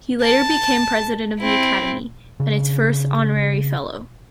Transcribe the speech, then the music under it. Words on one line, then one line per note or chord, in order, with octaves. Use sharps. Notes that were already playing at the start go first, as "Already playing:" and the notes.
He later became President of the academy, and its first honorary fellow.
A5
C4 E4
C#3 C#4 D4